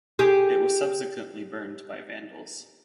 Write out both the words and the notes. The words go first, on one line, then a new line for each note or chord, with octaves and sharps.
It was subsequently burned by vandals.
G4 G#4